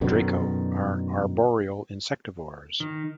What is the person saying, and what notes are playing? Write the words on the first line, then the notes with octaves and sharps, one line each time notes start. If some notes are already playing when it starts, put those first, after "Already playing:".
"Draco" are arboreal insectivores.
F#2 B2 D3 D#3
D#3